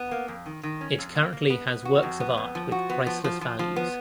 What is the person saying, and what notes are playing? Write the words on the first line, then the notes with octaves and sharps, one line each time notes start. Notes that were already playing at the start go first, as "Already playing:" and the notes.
It currently has works of art with priceless values.
Already playing: B3
A#3
F2
D#3
D#3
C#4
F2
A#3
A#3
B3
B3
F#4
F2
B3
F2
F3
F#4
B3
F3
F3
F3
F3
B3